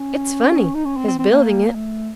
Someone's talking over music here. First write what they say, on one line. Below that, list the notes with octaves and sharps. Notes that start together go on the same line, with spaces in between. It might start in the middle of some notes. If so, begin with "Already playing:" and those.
"It's funny--his building it."
Already playing: C#4
D#4
C#4
C4
C4
C4
A#3
A3